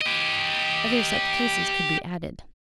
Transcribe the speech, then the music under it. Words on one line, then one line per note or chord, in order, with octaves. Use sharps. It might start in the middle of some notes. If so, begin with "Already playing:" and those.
Other such cases could be added.
G4 D#5